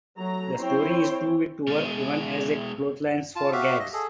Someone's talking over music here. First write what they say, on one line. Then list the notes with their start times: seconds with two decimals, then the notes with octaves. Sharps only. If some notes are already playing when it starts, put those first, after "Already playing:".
The story is too weak to work even as a clothesline for gags.
0.18 F#3 A3 A#5
0.57 C4 E4 C5 C#5 G5
1.67 B2 G#3
3.36 F4 A5
3.53 F#4 G4 E5 F5
3.80 D#5
3.93 G#4 A4